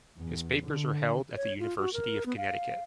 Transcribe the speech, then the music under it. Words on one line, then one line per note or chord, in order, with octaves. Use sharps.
His papers are held at the University of Connecticut.
E2
D3
C#5
F4
F#4
A#4
B3
F5